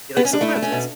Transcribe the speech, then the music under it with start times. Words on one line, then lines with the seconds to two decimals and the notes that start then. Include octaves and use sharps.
yeah, like, sometimes it's
0.17 B3
0.25 C#4
0.33 D4
0.41 A3 E4
0.56 A3
0.62 C#4
0.72 B2